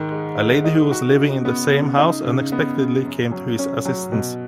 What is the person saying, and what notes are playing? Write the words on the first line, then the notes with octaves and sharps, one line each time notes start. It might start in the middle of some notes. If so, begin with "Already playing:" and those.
A lady who was living in the same house unexpectedly came to his assistance.
Already playing: G#2 D#3
G#3
G#3
D#4
F#4
C#3
B3
C#3
D#4
C#3
B3
C#3
F#2
F#3
C#4
F#3
B2